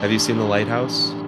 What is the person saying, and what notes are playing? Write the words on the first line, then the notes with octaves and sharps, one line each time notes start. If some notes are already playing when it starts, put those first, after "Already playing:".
Have you seen The Lighthouse?
Already playing: A2 E3 G3 D4